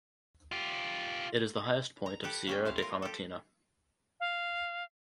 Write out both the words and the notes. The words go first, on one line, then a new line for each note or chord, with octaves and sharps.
It is the highest point of Sierra de Famatina.
F4 G4
A#5
G4 A4 B4
A#3 C#4 G5
C4 E4 F5
F4 A#4
G4 A4
F5